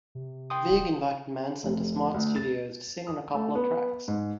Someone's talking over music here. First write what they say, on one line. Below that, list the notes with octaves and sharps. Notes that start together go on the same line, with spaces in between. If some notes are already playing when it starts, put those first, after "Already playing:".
Vig invited Manson to Smart Studios to sing on a couple of tracks.
C3
G5 C6 D#6
D#1
F1
D2
A6
D#6
A3
B3
G#2